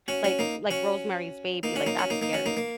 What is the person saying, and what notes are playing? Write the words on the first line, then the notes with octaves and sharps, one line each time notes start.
like like, Rosemary's Baby, like, that's scary,
C#4 F#4
C#4 F#4
A#3 D#4
C#4 F#4
A#3 D#4
C#4 F#4
A#3 D#4
C#4 F#4
A#3 D#4
A#3 D#4
C#4 F#4
A#3 D#4
A#3